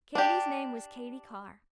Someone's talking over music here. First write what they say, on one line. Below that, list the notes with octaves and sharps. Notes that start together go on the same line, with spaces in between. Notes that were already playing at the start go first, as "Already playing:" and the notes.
Katy's name was Katy Carr.
D4 G4